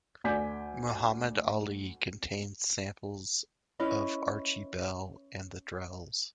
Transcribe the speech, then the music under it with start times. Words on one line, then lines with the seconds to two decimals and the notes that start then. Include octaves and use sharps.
"Muhammad Ali" contains samples of Archie Bell and The Drells.
0.24 D2 D5 G#5 D6 G6 B6
3.80 C#4 E4 B4 D#5